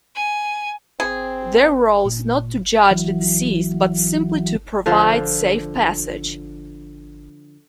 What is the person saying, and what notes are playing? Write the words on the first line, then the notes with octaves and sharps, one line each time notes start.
Their role is not to judge the deceased, but simply to provide safe passage.
G#5
C4 G#4
A#2
E3 F#3
D3 F3 F4